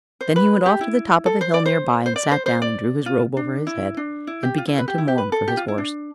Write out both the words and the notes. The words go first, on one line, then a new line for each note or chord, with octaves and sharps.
Then he went off to the top of a hill near by, and sat down and drew his robe over his head, and began to mourn for his horse.
C5
B4
G4
E4
A4
C5
D5
C5
C5
D5
C5
C5
D5
F4
D4
E4
D4
E4
G4
F4
E4
B4
G4
E4
G4
B4
A4
G4
F4
E4
D4